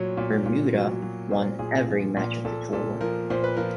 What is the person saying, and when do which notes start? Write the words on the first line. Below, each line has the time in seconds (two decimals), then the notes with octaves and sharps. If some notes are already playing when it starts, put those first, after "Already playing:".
Bermuda won every match of the tour.
Already playing: A#2 F#3 C#5
0.17 A#2
0.46 A#2
0.74 F#3
1.02 F#3
1.31 A#2 C5
1.59 A#2 G#4
1.88 F3
2.17 A#2
2.45 A#2 A4
2.73 A#2 A4
3.01 F3 A#4
3.30 A#2 C5
3.44 B4
3.57 F3 A#4